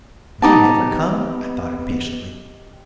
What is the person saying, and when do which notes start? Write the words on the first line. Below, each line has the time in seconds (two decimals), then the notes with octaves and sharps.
Would he never come? I thought impatiently.
0.42 B3 D#4 G4 A5